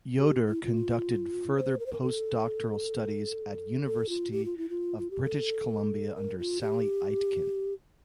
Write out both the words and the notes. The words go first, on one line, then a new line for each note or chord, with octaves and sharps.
Yoder conducted further postdoctoral studies at University of British Columbia under Sally Aitken.
G4
E4
F4
C5
A#4
C5
A#4
A4
A4
F4
G4
F4
E4
F4
F4
G4
A4
A#4
F4
G4